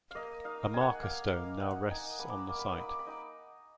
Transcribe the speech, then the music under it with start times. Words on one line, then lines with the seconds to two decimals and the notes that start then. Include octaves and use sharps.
A marker stone now rests on the site.
0.11 A#3 D#5 F5
0.44 D#4 F5
0.74 D#4 G#5
0.81 F#5
0.89 G#5
1.02 A#3 F5
1.32 A#3 F5
1.61 D#4 F#5
1.91 D#4 G#5
2.19 A#3 B5
2.29 D6
2.39 B5
2.49 A#3 D6
2.59 B5
2.69 D6
2.77 D#4 B5
2.89 D6
2.99 B5
3.07 D#4 D6